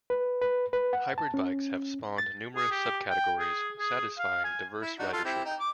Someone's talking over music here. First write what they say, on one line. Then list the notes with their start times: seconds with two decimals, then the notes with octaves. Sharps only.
Hybrid bikes have spawned numerous sub-categories satisfying diverse ridership.
0.10 B4
0.42 B4
0.73 B4
0.93 F#5
1.18 A5
1.34 C#4
2.18 A6
2.56 G#4
2.71 G4
3.10 G5
3.39 G#4
3.80 G#4
4.19 F5
4.44 G#5
4.82 E4
4.99 D4 D#4 F#4
5.13 F4 A4
5.25 C4 E4 G4
5.45 D#4 G5
5.60 D6